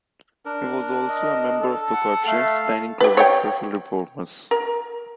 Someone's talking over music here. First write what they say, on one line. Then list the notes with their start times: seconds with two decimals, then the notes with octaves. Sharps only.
He was also a member of the Coefficients dining club of social reformers.
0.45 D4 A#4
1.09 D#5
1.61 A4
1.93 F#5
2.26 A3 A4 F5
3.01 G4 B4
3.17 C#5 D#5 G5
4.51 A#4